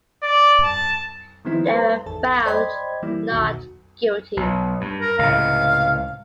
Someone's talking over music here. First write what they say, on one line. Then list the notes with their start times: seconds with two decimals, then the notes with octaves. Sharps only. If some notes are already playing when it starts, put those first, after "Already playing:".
They were found not guilty.
0.23 D5
0.63 A5
1.45 D#3 F3 G#3 B3 C4 E4
1.65 G#3 B4 C5
2.06 G#1 E2 A4 A5
2.46 C5 D5 D#5 G5 B5 G#6
3.02 E3 G3 A#3 E4
3.30 B1 E2 B2 D#3 F#4
4.37 B1
4.81 G2
5.01 A#4
5.19 C#2 A2 C3 F5